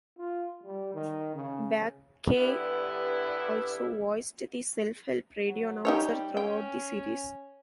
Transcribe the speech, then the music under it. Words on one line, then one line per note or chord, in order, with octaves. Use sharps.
Bakay also voiced the self-help radio announcer throughout the series.
F4
G3
D#3
C#3
G2 D3 G3 B3 E4
F#3
G3 D#4 G4 C#5
C#4 G5